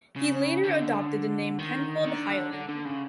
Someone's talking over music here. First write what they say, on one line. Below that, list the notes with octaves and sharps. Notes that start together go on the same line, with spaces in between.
He later adopted the name Penfold Hyland.
C#3
D3
D#3
D3
D3
D3
C#3